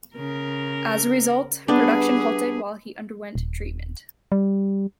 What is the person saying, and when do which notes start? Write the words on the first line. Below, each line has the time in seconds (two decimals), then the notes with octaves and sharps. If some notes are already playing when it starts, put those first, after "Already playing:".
As a result, production halted while he underwent treatment.
0.16 C#3 A#4
1.68 G3 B3 D4 G#4 B4
3.35 D#1
4.32 G3